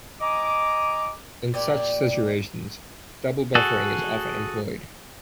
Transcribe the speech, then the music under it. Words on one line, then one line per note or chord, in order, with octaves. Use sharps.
In such situations, double buffering is often employed.
D#5 G#5 A#5 D6
A#2 G4 D5
F#4 G#4 A4